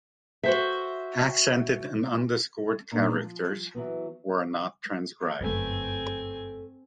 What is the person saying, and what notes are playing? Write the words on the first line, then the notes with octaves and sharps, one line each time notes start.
Accented and underscored characters were not transcribed.
F#4 C5 E5
A#2 A#3 D4 D#4
F3
E3 F#3 B3
G1 F#2 A3 C4 A4 B4 G#5